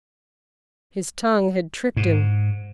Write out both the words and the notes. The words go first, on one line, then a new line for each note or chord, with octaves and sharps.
His tongue had tricked him.
G#2